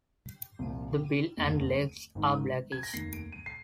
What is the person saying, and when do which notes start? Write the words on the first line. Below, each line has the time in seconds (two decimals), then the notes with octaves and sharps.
The bill and legs are blackish.
0.59 C2 A#2 F3
1.37 F1 D#2 D3
2.15 G#1 G#2 D#3
2.72 G#6
2.83 A#6
2.94 F1 D#2 D#3 C7
3.13 D7
3.32 D#7
3.46 C7